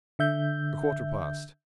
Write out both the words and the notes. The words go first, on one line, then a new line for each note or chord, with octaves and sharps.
A quarter past.
D3 E5 G6